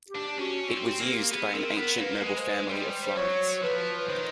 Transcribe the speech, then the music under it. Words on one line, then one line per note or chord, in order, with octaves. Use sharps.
It was used by an ancient noble family of Florence.
G4
D4
C#4 F#4
C4
G4
F#4
A#3 G4
B3 G#4
C4 A#4
B3 A#4
A#3 B4
G#3 B4
C5
B4
G3 C5
C5
F#3 C#5
F3 B4
D#3 C5